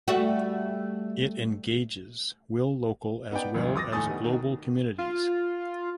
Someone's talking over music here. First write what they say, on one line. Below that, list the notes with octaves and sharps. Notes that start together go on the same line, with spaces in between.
It engages will local as well as global communities.
G3 A3 F#4
B3 D#4 B4 D5 G5
G#1 D2 G2 F3
D6 D#6 A6 A#6
D#2 A2 A3 G#5 D#6 A6
D#3 G3 B3
B2 D#3
F4